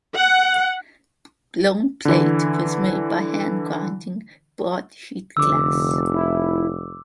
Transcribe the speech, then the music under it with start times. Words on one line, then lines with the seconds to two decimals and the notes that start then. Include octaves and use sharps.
Blown plate was made by hand-grinding broad sheet glass.
0.15 F#5
2.05 D3 E3
5.37 F1 D3 D6 E6
6.13 E4